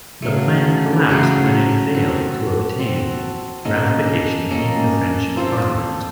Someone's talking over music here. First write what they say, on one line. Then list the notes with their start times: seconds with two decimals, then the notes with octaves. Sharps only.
The plan collapsed when it failed to obtain ratification in the French Parliament.
0.22 C#3 F#3 A3
1.09 C#3 F#3 A3
1.94 C4 F#4 A4
2.79 C4 F#4 A4
3.65 A#3 C#4 A4 D#5
4.50 A#3 C#4 A4 D#5
5.36 C4 F4 A4 C5